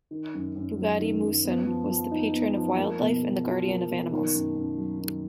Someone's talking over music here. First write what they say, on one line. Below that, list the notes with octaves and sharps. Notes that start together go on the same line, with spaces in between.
Bugady Musun was the patron of wildlife and the guardian of animals.
D#3
F#2
F#2
F#3
D#3
F#2
B3
F3
F3
D#4
B3
F3
A#3
B2
G#4
F4
A#3
B2
D#3
F#2
F#2
F#3
D#3